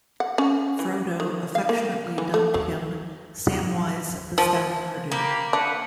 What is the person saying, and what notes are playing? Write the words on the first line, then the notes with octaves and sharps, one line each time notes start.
Frodo affectionately dubbed him "Samwise the stouthearted".
F#5
C#4
E3
D#3
F5
A#3
E3
A3
F#3
F3
A#3 G4 B5
D4 B4 F#5